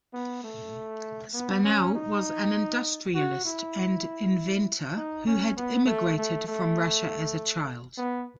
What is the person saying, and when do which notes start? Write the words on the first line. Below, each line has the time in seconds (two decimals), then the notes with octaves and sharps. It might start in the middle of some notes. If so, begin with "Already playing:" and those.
Spanel was an industrialist and inventor who had immigrated from Russia as a child.
0.13 B3
0.44 A3
1.33 B3
1.64 C#4
1.95 D#4
3.14 F#4
3.45 E4
4.96 D#4
5.27 C#4
5.57 B3
5.86 A3
6.18 A3
6.47 A3
7.98 B3